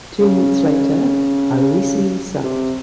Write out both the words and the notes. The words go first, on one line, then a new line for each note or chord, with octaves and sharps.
Two months later Aloisi was sacked.
C#3
C3